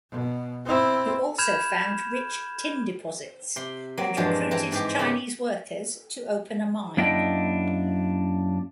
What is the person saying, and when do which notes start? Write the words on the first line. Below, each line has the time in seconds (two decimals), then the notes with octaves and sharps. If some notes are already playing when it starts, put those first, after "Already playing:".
He also found rich tin deposits, and recruited Chinese workers to open a mine.
0.11 B2
0.65 C4 E4
1.38 B5 F6 G6 G#6 E7 F7
3.56 C3 C6
3.98 F#3 A#3 C4
4.17 G2 A#2 E3 F3 G#3
4.51 E3 C4 A5 A#5
4.72 G#2 G#3 G4
4.99 C#3 A#3 G4
6.97 F#2 A#3 D4 E4 D#5 G5